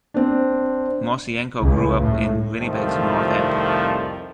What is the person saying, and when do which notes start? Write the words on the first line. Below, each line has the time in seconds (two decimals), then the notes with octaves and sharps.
Mosienko grew up in Winnipeg's north end.
0.14 C4 D4
1.61 C#2
1.99 A2
2.59 C2 F2 D#3 F3 A3